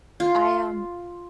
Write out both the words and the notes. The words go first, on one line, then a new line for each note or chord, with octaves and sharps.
I, um,
F4